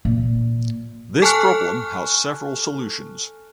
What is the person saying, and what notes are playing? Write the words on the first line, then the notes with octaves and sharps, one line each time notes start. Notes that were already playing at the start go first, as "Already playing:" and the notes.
This problem has several solutions.
A#2
A4 G#5 A5 C#6 F6 F#6